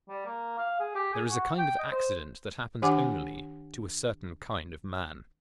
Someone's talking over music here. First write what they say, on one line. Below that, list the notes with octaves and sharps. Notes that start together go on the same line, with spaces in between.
There is a kind of accident that happens only to a certain kind of man.
G3
A#3
F5
G#4
G4
G#4
F#4
G5
D#5
C5
D#3 D4 G4 F#5 G#5 D6